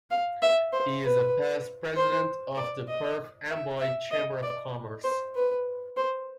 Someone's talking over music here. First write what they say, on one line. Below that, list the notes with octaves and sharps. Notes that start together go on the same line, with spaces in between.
He is a past president of the Perth Amboy Chamber of Commerce.
F5
E5
C5
B4
C5
D5
D#5
E5
E5
D#5
D5
C5
B4
C5